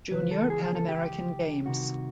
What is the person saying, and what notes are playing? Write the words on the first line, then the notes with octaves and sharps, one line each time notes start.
Junior Pan American Games.
C#2 C3 E3 B4
A4
G#4
G#4
A4
G4
C2 C3 D#3 F#4